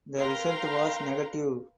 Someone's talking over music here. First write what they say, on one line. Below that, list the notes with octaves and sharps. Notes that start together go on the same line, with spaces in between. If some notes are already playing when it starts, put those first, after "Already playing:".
The result was negative.
A#4 B4 F5 G5 A#5 C6